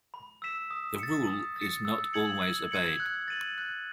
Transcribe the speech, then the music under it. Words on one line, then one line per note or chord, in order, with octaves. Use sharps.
The rule is not always obeyed.
B5
E6 B6 E7
D#6
A6 C#7
D#6
A6
C#7
E6
G#6 C#7 F#7
E6
G#6 C#7 F#7
F#6
A6 D#7 F#7
F#6